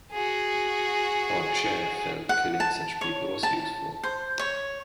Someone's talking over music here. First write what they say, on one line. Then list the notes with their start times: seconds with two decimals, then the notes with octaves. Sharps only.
Hoche felt killing such people was useful.
0.12 F#4 G#4
2.29 F#5
2.60 A5
3.01 C#5
3.43 A5
4.03 C5
4.39 C#5